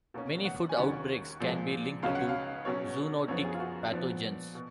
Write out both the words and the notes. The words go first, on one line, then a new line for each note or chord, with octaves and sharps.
Many food outbreaks can be linked to zoonotic pathogens.
B2 A#3 C#4
F#5
G#5
D#2 D#3 F#3 C#4 F#5
A#2 F3 G#3
C#2 C#3 F#3 C#4 F5
F#5
F5
B2 F#3 C#4 C#5
F#2 F3 B3 C#5
G#4
F4
F#4
A#2 F3 B3
B2